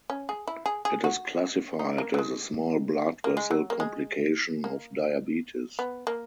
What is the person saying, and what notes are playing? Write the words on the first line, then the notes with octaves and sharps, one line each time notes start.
It is classified as a small blood vessel complication of diabetes.
C#4
G#4
E4
G#4
G#4
F#4
D#4
A#3
F#3
G#3
A#3
G#3
F#3
A#3
G#3
A#3
B3
A#3